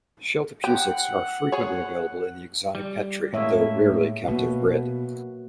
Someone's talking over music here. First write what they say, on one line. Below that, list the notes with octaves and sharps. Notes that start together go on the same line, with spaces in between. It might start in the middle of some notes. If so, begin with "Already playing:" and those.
Sheltopusiks are frequently available in the exotic pet trade, though rarely captive-bred.
G4 F#5
G#4 C#5
G3
A2 G#3 A#3 C#5 E5
B2 A#3 F#4 B4